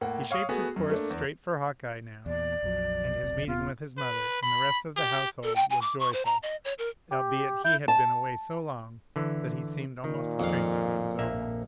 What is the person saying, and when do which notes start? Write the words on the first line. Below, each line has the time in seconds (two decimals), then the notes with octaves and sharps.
He shaped his course straight for Hawkeye, now, and his meeting with his mother and the rest of the household was joyful--albeit he had been away so long that he seemed almost a stranger in his own home.
0.01 A2 A#3 F#5
0.31 C#5 F5 C#6 D#6
0.49 A3 B3 F#4 G#4
0.76 F#2
0.90 A3 A#3 D4
1.10 E2
2.26 E2 A#2 D5
2.63 A#1 F2 F#3
3.23 E1 B1 C3
3.47 D#1 B3 F4
3.98 B4
4.42 B5
4.96 G4
5.44 A4
5.56 G5
5.70 G#5
5.82 D6
6.00 C#6
6.13 C5
6.25 A#5
6.43 D#5
6.65 C#5
6.79 A#4
7.11 G4
7.64 E4 G6
7.88 A5
9.16 D3 E3
10.04 A#2 D#3
10.40 F2 F5
11.19 A#1 A#3 E5